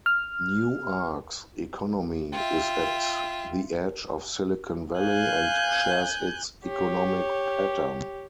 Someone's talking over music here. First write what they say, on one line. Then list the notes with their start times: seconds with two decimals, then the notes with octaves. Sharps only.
Newark's economy is at the edge of Silicon Valley and shares its economic pattern.
0.06 F6
2.32 F4 E5 G5
4.99 F5 G#5 F#6 G6
6.65 G4 C#5